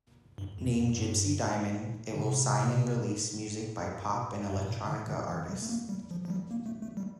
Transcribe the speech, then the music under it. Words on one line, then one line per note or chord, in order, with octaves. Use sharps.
Named Gypsey Diamond, it will sign and release music by pop and electronica artists.
G2
F2
F2
G2
D3
C3
G2
A2
A#2
D3
D3
E3
G3
A3
A#3
G3
F3
F3
G3
A#3
A3
A3
G3